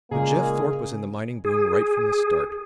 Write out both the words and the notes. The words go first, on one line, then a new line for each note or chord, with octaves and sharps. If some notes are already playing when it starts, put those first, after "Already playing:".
But Jeff Thorpe was in the mining boom right from the start.
A#2 C#3 G#3 A#3 G#4
G#4